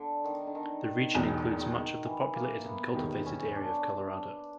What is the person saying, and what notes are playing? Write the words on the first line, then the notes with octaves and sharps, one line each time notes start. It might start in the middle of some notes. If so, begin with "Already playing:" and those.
The region includes much of the populated and cultivated area of Colorado.
Already playing: D3
D#3
D3
D#3
D#3
E1 E2 B2
D#3
E3
A#3
B3
E1 D#2 D#3
C#4
D4